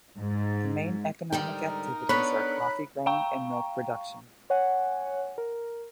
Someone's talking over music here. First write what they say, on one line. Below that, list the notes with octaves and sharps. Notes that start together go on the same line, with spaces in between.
The main economic activities are coffee growing and milk production.
G#2
G#2 D3 G3 D#4 A#4 G5
B3 D4 A4 C#5 B5 F#6 B6
F5 G5 A#5 C#6
C#5 F#5 G#5
A#4